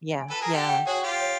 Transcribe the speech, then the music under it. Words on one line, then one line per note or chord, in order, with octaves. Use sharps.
Yeah. Yeah.
G#5
A4 B4 A5
G#4 A#4 G#5
G4 A4 G5
F#5
G5
F#4 G#4 C#5
F4 G4
C#5